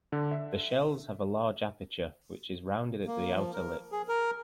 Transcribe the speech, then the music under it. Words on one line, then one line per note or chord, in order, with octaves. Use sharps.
The shells have a large aperture, which is rounded at the outer lip.
D3
E5
A#3
F3
A#4
G#4
A#4